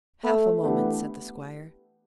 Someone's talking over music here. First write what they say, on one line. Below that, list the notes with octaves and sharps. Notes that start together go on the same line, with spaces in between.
"Half a moment," said the squire.
A3
E3 A3 B3 D4 G4